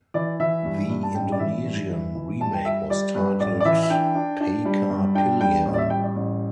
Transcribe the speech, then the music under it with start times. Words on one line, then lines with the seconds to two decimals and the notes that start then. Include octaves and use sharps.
The Indonesian remake was titled "Pacar Pilihan".
0.14 E3 D5
0.40 E3 E5
0.65 G2
0.90 G2
1.03 A5
1.15 A1 G5
1.32 D5
1.39 E3 E5
1.65 G2
1.90 E3
2.15 E3
2.40 G2 A5
2.53 G5
2.65 G3 E5
2.90 G3 D5
3.15 G2 B4
3.40 A1 D5
3.61 D5
3.65 E3 E5
3.83 E5
3.90 D4 G5
4.15 D4
4.40 D4
4.65 G3
4.90 G2
5.15 D4 G5
5.40 G3 G5
5.66 A1
5.74 D5
5.78 E5
5.90 G3 G5
6.03 D5
6.16 A1